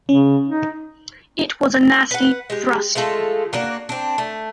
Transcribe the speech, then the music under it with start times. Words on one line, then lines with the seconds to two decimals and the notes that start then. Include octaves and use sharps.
It was a nasty thrust.
0.09 C#3 C#4
0.48 D#4
2.11 B4 F#5
2.50 G#3 G4
2.95 G#3 A3 F4 A4
3.53 A#3 D4 F#4
3.89 C4 D4
4.18 A3